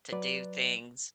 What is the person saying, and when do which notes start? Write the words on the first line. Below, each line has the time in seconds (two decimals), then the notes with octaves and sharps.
to do things,
0.12 F#3 B4 D5